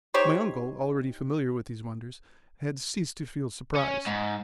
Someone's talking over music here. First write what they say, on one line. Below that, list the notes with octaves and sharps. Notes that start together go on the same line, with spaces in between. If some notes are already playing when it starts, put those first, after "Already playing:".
My uncle, already familiar with these wonders, had ceased to feel surprise.
D#4 G4 C5 C#5
C#4
G#2